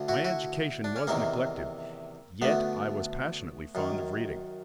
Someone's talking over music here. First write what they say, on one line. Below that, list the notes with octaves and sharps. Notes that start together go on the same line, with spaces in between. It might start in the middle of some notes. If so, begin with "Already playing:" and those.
My education was neglected, yet I was passionately fond of reading.
Already playing: D2 D3
E4 F#4
E4 F#4
D4
C#4
E2 C3 D#3 A#3 C4
D2 D3 A3 B3
F#2 D#3